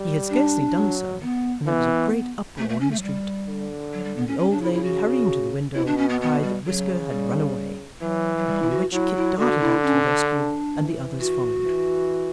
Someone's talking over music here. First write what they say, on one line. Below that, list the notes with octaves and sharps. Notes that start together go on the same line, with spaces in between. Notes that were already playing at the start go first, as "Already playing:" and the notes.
He had scarcely done so, when there was a great uproar in the street, and the old lady hurrying to the window cried that Whisker had run away, upon which Kit darted out to the rescue, and the others followed.
Already playing: G3
D4
F#3
B3
E3 B3
A3
A3
C#4
A3
F#3
G3
D3
F#3
G3
B3
C#4
C#3 C#4
D4
E4
E4
F#4
B2 E4
D4
C#4
B3
B3
G3
C#3 F#3
G3
E3 F#3
F#3
G3
E4
F#4
F#3 E4
E4
D3 F#4
E4
C#4
D4
E3
F#4
E3